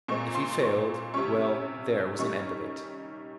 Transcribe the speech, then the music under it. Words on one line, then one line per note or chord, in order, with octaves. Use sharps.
If he failed--well, there was an end of it.
A#2 G#3 C4 C#6
C6
C#6
C3 G3 C#4 C#6
D#3 G3 C#4 C#6